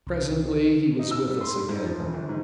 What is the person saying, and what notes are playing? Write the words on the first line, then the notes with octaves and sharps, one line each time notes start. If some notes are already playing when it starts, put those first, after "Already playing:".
Presently he was with us again.
C2
D#4
E6
G3
C6
G3
G#2
F3
E1
G1
G#2